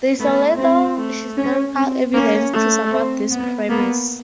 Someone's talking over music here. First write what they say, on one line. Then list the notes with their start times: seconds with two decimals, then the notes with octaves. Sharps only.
There is little historical evidence to support this premise.
0.20 A3 B3
0.58 C4
0.97 A3
1.37 C#4
1.75 C4
2.14 A#3 C#4
2.53 A3
2.92 C4
3.30 B3
3.69 A#3 B3